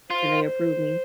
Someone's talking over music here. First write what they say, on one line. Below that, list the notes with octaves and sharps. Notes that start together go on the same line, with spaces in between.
and they approved me
F4 C5